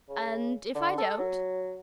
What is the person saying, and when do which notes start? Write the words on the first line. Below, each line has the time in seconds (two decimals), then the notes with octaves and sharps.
"And if I don't?"
0.09 C#3
0.75 D3
0.98 A4
1.18 F#3